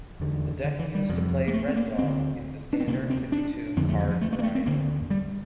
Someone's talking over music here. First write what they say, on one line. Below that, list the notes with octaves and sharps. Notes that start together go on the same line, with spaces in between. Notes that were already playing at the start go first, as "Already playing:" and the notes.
The deck used to play red dog is the standard, fifty-two-card variety.
E2 D3
D3
E3
G3
F2 C3
A#3
A3
C4
A#3
D2 D3 C4
D4
C4
D2 C3 A#3
C4
D4
F2 D3 C4
A3
E3
F3
A3
A3
A#3
A3
C4
D2 D3 A#3
G3